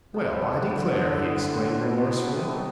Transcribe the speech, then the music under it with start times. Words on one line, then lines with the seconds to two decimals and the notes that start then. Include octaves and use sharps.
"Well, I declare!" he exclaimed remorsefully.
0.14 C3 G3 B3
0.28 A3 C4
0.42 B3 D4
0.56 G3 B3
0.69 D3 F#3 A3
0.83 D4 F#4
0.96 C4 E4
1.10 B3 D4
1.38 C4 E4
1.52 D4 F#4
1.65 D4 F#4
1.79 B2 C4 E4
1.92 C4 E4
2.06 B3 D4
2.34 C3 A3
2.42 B3
2.51 F#3 A3